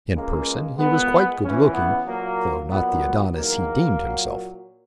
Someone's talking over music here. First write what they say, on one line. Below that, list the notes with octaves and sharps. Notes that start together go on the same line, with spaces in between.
In person he was quite good-looking, though not the Adonis he deemed himself.
C#2 C#3 G#3 A#3
A#2 G#3 B3
C#2 C#3 E3 C#4
B3
A#2 F#3 A#3
A#2 F#3 B3
E2 D#3 F#3 A#3
A#2 F#3